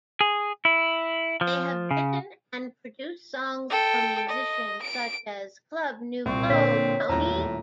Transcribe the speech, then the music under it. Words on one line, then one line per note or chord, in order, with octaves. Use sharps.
They have written and produced songs for musicians such as Club Nouveau, Tony!
G#4
E4
F3
C#3
A4 G5
D#5
D7
C2 A#2 C4 C#6
A#2 D3 A#3 C#5 G5 B6
D#1 E2 A2 A#5